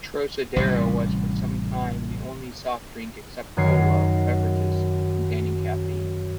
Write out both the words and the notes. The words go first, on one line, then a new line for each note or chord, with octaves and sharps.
Trocadero was for some time the only soft drink except cola beverages containing caffeine.
A1 C3 G3
F#2 D#3 C#5 A#5 C7